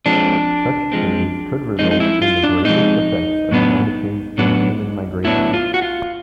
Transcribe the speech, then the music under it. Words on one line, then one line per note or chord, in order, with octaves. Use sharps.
Such changes could result in the gravest effects of climate change through human migration.
F3 G#3 C4 D4
F3 G#3 C4
F3 G#3 C4 D#4
D#4
E4
F4
D4
F3 G#3 C4 D#4
A2 F#3 B3 D4
A2 F#3 B3 D4
A2 F#3 B3 D4 E4
F4
F#4
F4